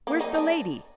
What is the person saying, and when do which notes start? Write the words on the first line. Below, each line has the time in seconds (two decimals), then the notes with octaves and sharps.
Where's the lady?
0.07 A#3
0.21 D#4
0.34 D4